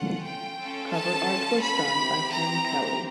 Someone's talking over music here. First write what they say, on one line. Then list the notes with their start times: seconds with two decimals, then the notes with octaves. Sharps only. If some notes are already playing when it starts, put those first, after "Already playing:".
Cover art was done by Ken Kelly.
Already playing: C#4 F4 A4 F#5
0.22 G5
0.57 C#4 F4 A4
0.91 A5
1.61 B5
1.96 C4 E4 G4
2.31 A#5